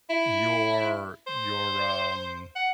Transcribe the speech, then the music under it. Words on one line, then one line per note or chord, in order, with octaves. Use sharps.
your your, um,
E4
C5
F#5